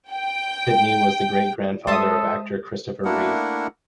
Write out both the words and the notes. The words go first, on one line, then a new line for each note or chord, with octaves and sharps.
Pitney was the great-grandfather of actor Christopher Reeve.
G5
G#3 A4 C5 E5 A5 C6 D#6
A3 A#3 D4 E4 A#4 F#5